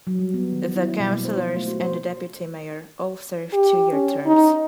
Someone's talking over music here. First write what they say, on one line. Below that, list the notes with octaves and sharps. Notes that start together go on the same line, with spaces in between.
The Councillors and the Deputy Mayor all serve two year terms.
F#3
G3
B3
D#3
E4
B2
A#3
C5
F4
A3
F#4
C5
G4
C#4
D#4